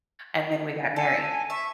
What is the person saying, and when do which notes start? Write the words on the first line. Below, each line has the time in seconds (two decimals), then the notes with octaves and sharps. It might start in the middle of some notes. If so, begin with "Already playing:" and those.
and then we got married.
0.96 A4 G#5
1.50 E5 C#6